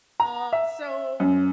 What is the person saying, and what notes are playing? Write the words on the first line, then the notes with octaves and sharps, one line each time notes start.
Uh, so
A#5
E5
F#2